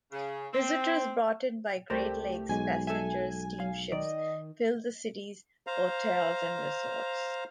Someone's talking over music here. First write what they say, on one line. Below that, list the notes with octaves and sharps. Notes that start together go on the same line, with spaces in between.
Visitors brought in by Great Lakes passenger steamships filled the city's hotels and resorts.
C#3
C4
C2 A3 G4 A#4 C5 D5
B1 G#3 G#5
A4 E5 G#5
F5
D#3 D5 D#5
C5 F5 A#5